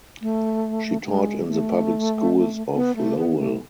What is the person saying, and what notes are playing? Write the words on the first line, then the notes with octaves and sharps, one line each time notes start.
She taught in the public schools of Lowell.
A3
G#3
A3
B3
A3
B3
A3